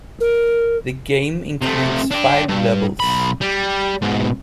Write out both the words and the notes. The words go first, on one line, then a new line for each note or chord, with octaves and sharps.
The game includes five levels.
A#4
C3 A3
D4 G4
G2
B1 B5
G3
G#2 B2